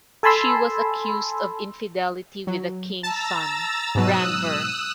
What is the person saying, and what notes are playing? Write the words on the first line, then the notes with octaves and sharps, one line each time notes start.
She was accused of infidelity with the king's son, Randver.
A4 G#5 A5 B5 C6 E6
F#3
A5 A#5 E6 A6
G#2 B2 F#3 D#6 E6 F#6